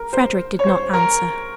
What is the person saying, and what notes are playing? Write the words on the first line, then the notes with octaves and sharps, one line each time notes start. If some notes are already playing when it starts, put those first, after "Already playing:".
Frederick did not answer.
Already playing: A#4
C5
C#5
C5
A#4